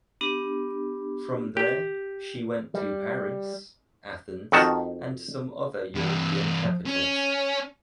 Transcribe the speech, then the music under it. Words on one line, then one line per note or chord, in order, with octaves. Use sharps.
From there, she went to Paris, Athens and some other European capitals.
B3 D4 G4
G4
G3
F2 D#3 F#4 A5
G2 E3
C#4